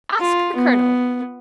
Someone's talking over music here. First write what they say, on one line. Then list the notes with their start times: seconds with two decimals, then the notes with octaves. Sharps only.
"Ask the Colonel."
0.19 F4
0.56 B3